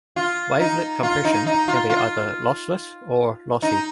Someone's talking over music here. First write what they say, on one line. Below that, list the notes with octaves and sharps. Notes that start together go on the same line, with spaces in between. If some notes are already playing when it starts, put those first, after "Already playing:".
Wavelet compression can be either lossless or lossy.
F4
D#4
F4
D#4
D#4
F4
F4
D#4